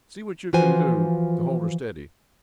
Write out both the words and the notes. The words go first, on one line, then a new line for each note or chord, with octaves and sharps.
See what you can do to hold her steady.
E3 F3 F4 F#4 C5 G#5